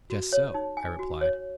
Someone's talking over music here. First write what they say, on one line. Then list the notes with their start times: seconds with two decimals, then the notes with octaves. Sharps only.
"Just so," I replied.
0.10 F#4
0.33 C#5
0.54 D#4
0.77 G#5
0.99 F#4
1.21 C#5